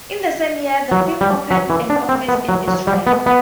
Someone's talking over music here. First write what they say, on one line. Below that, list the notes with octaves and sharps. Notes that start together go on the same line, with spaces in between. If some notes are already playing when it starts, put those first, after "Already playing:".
In the same year, the firm opened an office in Israel.
F#3
G3
F#3
E3
D4
C4
B3
F#3
F#3
G3
B3
B3